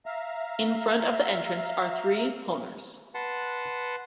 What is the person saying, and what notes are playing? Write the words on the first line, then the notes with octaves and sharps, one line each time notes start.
In front of the entrance are three ponors.
E5 F5 A#5
B4 F#5 A5 C6